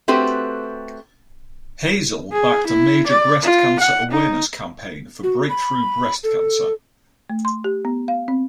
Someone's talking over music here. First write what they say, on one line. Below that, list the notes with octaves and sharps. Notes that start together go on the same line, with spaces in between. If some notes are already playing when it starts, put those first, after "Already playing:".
Hazell backed a major breast cancer awareness campaign for Breakthrough Breast Cancer.
A3 C4 F#4 G4 B4
G#4
E4
D5
F4
F#5
D#4
F#4
B5
A4
A3
C6
G4
B3
F5
C4